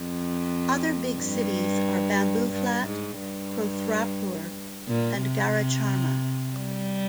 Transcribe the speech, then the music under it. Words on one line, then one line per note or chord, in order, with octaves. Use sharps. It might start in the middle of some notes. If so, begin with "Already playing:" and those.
Other big cities are : Bambooflat, Prothrapur, and Garacharma.
Already playing: F2
G2
G2
G#2
G2
A#2
C3
G3